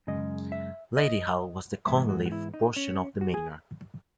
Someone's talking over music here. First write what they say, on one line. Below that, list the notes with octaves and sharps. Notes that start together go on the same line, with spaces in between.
Ladyhall was the Cunliffe portion of the manor.
F#2 C#3 G#3 D#5
E5
D#5
G#2 E3 G#3 B3 E5
F#4
F#4
E4
D#4
C#4
F#4
G#4